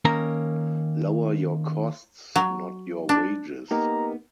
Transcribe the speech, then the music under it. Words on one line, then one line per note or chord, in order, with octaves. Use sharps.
Lower your costs, not your wages.
D#3 A#3 C#4 A#4 A#5
F#3
D4
A#3 B3 D#4 G4 A#4 D#5 A#5